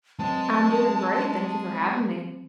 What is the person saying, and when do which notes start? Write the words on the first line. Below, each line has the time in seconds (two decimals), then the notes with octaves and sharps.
I'm doing great. Thank you for having me.
0.19 E3 F#3 G#3 C4 D#5 A5